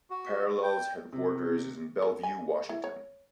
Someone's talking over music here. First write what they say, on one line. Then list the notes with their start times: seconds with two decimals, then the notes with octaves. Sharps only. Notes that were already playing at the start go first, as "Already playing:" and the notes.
Parallels headquarters is in Bellevue, Washington.
0.10 F#4
0.63 G5
1.13 C3
2.02 A4
2.23 G#5
2.69 E4
2.84 C#5